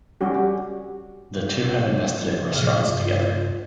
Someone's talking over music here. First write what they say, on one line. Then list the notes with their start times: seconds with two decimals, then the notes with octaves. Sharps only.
The two have invested in restaurants together.
0.21 G3 C#4 F#4 G4
2.56 A2 C3 F3 G#4 F6
2.88 G2 F4